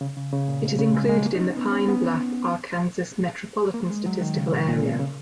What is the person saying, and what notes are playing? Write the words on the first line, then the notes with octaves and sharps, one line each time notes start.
It is included in the Pine Bluff, Arkansas Metropolitan Statistical Area.
C#3
C#3
C#3
A#2
B2
C#3
G#3
G#3
A#3
D#4
C#4
B3
C#4
B3
A#3
G#3
F#3
D#3
C#3
A#2
A#2
B2
C#3